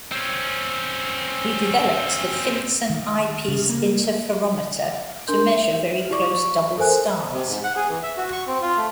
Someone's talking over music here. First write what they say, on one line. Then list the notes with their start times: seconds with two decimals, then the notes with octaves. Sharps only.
He developed the Finsen eyepiece interferometer to measure very close double stars.
0.12 C4 C#4
2.90 D#3
3.48 C#3
3.69 A#3
5.28 D4 A#4 C6 G6
5.49 E5
6.10 E4 G4 D5 C#6 D6
6.34 C#6
6.77 A4 A#4 C5 G#5 F#6
7.33 C3
7.49 G#2
7.64 F#5
7.76 G#4
7.89 E3
8.03 E5
8.17 F#4
8.33 C#6
8.47 C4
8.62 F4
8.78 A3